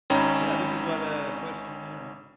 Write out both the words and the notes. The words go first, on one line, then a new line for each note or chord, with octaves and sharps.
Yeah, this is why the question, you know
G#1 C#4 D#4 G5 A#5 B5